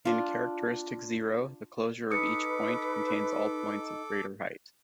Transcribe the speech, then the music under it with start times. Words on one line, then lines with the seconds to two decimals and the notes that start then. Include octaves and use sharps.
In characteristic zero, the closure of each point contains all points of greater height.
0.05 D4 F4
2.11 D#4 A4 B4 D6 D#6 C#7